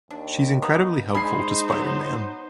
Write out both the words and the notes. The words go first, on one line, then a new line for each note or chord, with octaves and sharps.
She's incredibly helpful to Spider-Man ...
D#2 D4
A#3 B3 D#4
G3 G#3 D4 D#4 G#4 C5 B5 C7
B2 F#3 B3